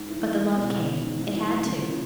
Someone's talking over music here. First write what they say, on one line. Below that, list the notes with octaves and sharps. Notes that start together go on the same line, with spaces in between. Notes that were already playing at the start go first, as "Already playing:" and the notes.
But the love came ... it had to.
Already playing: G#2
E3
E3
B2
C#3
B2
G#2
G#2
E3
F#3
E3
C#3
A#2